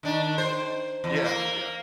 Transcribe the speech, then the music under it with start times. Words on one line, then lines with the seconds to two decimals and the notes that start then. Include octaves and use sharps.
Yeah, yeah.
0.03 D#3 D4
0.38 C5
1.04 E2
1.24 A#3